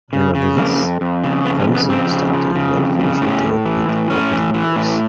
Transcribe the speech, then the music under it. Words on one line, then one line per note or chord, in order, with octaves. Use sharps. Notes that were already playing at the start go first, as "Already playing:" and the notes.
Nevertheless, Frentzen started well finishing third in the opening race.
C#3
C#3
F2 A#3
F2
F2
C#3
F2 B3
C#4
C#3
B3
F2 C4
C#3
F3
C#3
F2
C#3
A2 C#4
A2
E3
A2
A2 C#4
E3
E3
A2